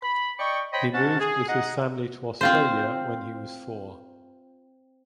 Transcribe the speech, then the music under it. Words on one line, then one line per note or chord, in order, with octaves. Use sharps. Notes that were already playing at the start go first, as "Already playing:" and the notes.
He moved with his family to Australia when he was four.
B5
D5 D#5 G5 C#6
C5 C#5 D#5 G5 B5
G#2 C#4 F#4 F#5 A5
G#4
D#4 G#4 D#5 F#5
C4 F4 C5